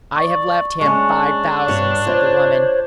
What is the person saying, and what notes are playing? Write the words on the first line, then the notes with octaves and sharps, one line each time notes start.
"I have left him five thousand," said the woman.
D5 C#6
G#3 C#4 D4 C#6
G2 C#5
F4 C5 C#5